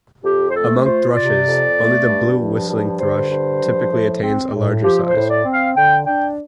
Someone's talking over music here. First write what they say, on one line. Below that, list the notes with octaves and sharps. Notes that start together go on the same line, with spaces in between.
Among thrushes, only the blue whistling thrush typically attains a larger size.
F2 G4
C5
A3 A4
F4 C5
C3 D5
F2
A3
G2
F3
G2
D3 C5
G2
F3
A2
C4
A2
F3 G4
C5
A2
D5
C4
F5
D3 G5
D4 G5